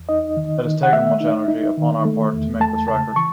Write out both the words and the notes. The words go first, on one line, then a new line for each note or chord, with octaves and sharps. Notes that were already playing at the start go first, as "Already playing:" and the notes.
It has taken much energy upon our part to make this record.
Already playing: E2
D#4 D#5
D#3
D#3
F#5
A3 E5
D#4
D#4
D#3
A3
E2
A3 A5
C#3 A5
E3 C#6